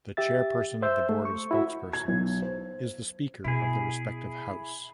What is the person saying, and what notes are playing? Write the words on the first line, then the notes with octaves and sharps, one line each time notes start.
The Chairperson of the Board of Spokespersons is the Speaker of the respective House.
G4 E5 A6
C5 E5 E6 G6
A3
C#6
E4 F#4 E5
G#6
B1
C5
B2 E3 E4 G#4